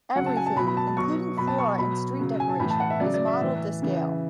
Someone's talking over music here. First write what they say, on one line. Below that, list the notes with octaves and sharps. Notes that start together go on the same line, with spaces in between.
Everything, including flora and street decoration, is modeled to scale.
C#3 F#3 F#5
A5
G#5
A5
B2 F#3 B5
B5
A5
A5
B2 F#3 C#6
B2 F#3 B5
A5
C#6
B2 F#3 B5
C#3 F#3
G#5
A5
A2 E3 B5
A5
F#5
E5
C#3 F#3 D5
D5
E5
A2 E3 E5
C#3 E3